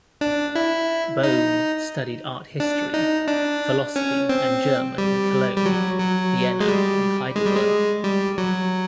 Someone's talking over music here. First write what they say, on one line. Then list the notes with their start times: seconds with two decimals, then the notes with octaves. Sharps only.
Boehm studied art history, philosophy and German in Cologne, Vienna and Heidelberg.
0.21 D4
0.55 E4
1.23 D#4
2.60 D4
2.94 D#4
3.28 D4
3.96 C#4
4.29 C4
4.98 G3
5.56 G3
5.66 F#3
6.00 F#3
6.60 G#3
6.68 G3
7.36 G#3
7.46 G3
7.56 G#3
8.04 G3
8.38 F#3